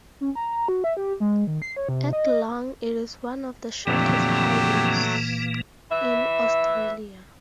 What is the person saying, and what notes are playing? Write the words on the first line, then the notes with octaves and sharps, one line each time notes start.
At long it is one of the shortest highways in Australia.
C#4
A#5
F#4
E5
G4
G#3
D#3
C7
C#5
C3
D#5
F2 A#2 D3 E3 F#3 A3 A#3 G4
E3 E5